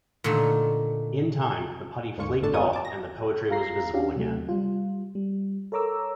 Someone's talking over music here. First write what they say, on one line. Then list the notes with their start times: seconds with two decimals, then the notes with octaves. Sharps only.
In time, the putty flaked off and the poetry was visible again.
0.24 A#2 D3 D#3 A3
2.18 D#2 G#2 D3 F4 C#6
2.42 G1 A2 D3 D4 A4 A5
2.53 F#2 B3 F4 A#4 C#5 D#6
2.73 A5 D6
2.85 A#6
3.50 F4 F5 A#5 A#6 C7
3.93 C#4 D4 F#4 G4 F5
4.16 C3 F#3 A3
4.49 G3 F4
5.15 G3
5.72 A4 A#4 C#5 A#5 D6 E6